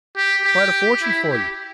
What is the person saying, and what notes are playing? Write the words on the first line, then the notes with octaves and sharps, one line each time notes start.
Quite a fortune for you.
G4
G4
E4
G4